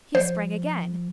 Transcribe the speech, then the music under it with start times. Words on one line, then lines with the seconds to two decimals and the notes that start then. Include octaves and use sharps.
He sprang again.
0.14 F3 C5